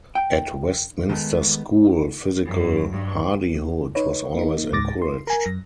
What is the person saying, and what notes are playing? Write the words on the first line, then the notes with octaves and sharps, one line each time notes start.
At Westminster School, physical hardihood was always encouraged.
G5
D#3 G#3 A3 B3
F#2
G2
D#4 B4 C#5
A#3 D#4
C#2 G#2 D6 A6 A#6
C6
A#4 G#5
F#2 A#6